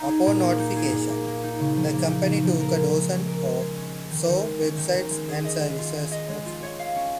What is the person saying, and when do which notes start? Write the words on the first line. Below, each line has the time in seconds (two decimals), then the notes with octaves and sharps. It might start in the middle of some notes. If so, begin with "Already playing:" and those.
Upon notification, the company took a dozen or so websites and services offline.
Already playing: D#4
0.09 G#4
0.27 A#2
0.43 A#3
0.59 D#4
0.76 G#4
0.92 A#2
1.09 A#3
1.27 A#3
1.43 D#4
1.60 C#3
1.76 F3
1.93 A#3
2.10 D#4
2.27 C#3
2.43 F3
2.60 A#4
2.77 G#3
2.94 G#3
3.10 C#4
3.27 A#4
3.45 G#3
3.61 G#3
3.77 C#4
3.95 C#4
4.10 D#3
4.28 D#3
4.45 G#3
4.61 C#4
4.78 D#3
4.95 D#3
5.11 G#3
5.28 G#4
5.45 D#5
5.61 G#3
5.78 F4
5.95 G#4
6.12 D#5
6.29 G#3
6.46 F4
6.63 C#5
6.80 F5
6.96 C#4